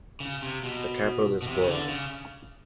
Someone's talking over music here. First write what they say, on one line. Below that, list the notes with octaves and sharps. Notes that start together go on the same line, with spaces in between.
The capital is Bouar.
C#3
C3
B2
B2
C3
C#3
D3
C#3